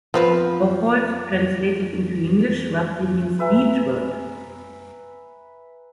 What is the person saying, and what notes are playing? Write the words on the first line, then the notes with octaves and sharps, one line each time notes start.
Bocholt translated into English roughly means "beechwood".
F3 B3 C4 B4
B4 E5 G#5 A#5